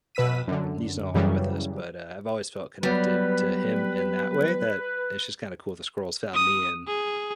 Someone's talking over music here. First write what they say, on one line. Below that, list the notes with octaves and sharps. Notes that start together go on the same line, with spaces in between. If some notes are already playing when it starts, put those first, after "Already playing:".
um, he's no longer with us, but, uh, I've always felt connected to him in that way that it's just kinda cool the squirrels found me, and
B2 B4 E6 B6 D#7
F#2 D3
F#2 C#3 E3 F#3 G3
F#3 G3 B3 B4
D#6
G#4